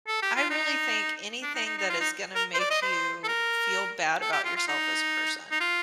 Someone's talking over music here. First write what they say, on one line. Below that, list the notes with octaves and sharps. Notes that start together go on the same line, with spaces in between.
I really think anything that is gonna make you feel bad about yourself as a person.
A4
G4
F4
D#4
D4
D#4
D#4
D#4
F4
D#4
A#4
C5
D5
D#5
C5
A4
A#4
A4
G4
F4
F4
D#4
D#4
F4